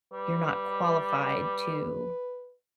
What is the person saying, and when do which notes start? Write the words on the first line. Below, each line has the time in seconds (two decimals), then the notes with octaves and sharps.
you're not qualified to
0.13 G3 B4